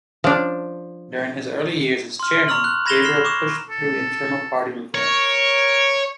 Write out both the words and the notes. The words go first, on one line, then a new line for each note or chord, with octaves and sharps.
During his early years as chairman, Gabriel pushed through internal party reforms.
F3 D4
C6 F6
A#5 C#6 E6 F6 F#7
F#6
B5 G#6 A#6 E7 F7 G7
F6 C7 E7 G7
C#6 D6 E7
A4
A#4 C#5